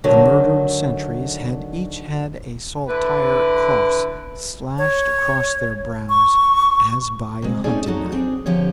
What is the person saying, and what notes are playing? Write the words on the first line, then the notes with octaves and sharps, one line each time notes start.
The murdered sentries had each had a saltire cross slashed across their brows, as by a hunting-knife.
D2 D3 D#3 F#3
D3 E4 B4
C#5
C#6
C3 G#3
A3 C4 C#4 D#4 G#4 D5
F#3 D#4 F#4 A4
C4 D4 G#4
D3 F3 G4 C#5